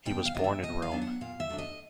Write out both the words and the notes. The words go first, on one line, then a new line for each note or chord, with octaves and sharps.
He was born in Rome.
B2 G5
F5
F#3 B3 D4 D#5
E5
B2 D#5
F5
F#3 B3 D4
F#5
A#2 F5
E5
F#3 A3 D4
D#5